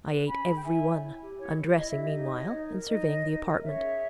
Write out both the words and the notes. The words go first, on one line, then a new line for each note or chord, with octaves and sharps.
I ate every one, undressing meanwhile, and surveying the apartment.
B4
C#4 G#5 B5
G#4
G5
E4 E5 G#5
C#5
E4
G4
E4 C#5
C#5
E4 D#5
G4 E5
D#5
D#4
C#5
D#4
A#4
D#4 D#5
C#5
D#4
A#4
C#4 C#5 E5
G#4